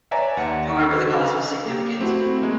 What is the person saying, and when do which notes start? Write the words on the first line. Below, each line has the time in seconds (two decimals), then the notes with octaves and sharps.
However, the cost was significant.
0.11 B4 C#5 D5 E5 G#5 A#5
0.37 D#2 F#5 C#7
0.91 F#4 B4 C5 D#5
1.66 A#3 G4
1.99 A3 C4 E4 F#4
2.42 G#3 A#3